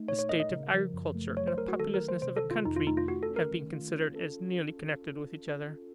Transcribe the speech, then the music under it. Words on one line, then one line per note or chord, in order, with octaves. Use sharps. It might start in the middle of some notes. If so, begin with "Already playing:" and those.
The state of agriculture and the populousness of a country have been considered as nearly connected with each other.
Already playing: A3 D#4
A#2 C#5
C#5
A#4 D#5
D#5
C#3
F3
F#2
A3
F#3 C#5
C5
A3 A#4
F#4
D#3 A4
A#4
D#3
C5
C3 C5
A4
D#3
F4
F2 D#4
F4
A3 D#4
F4
A3 F#4
A4
C#4
A#4
D#3
F4
C#4
A4